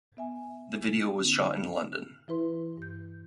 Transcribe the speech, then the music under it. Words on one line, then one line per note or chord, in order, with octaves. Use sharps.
The video was shot in London.
B3 E5 G#5
D3 B3 C#4 D#4
E3 E4 B4 C6
G2 G6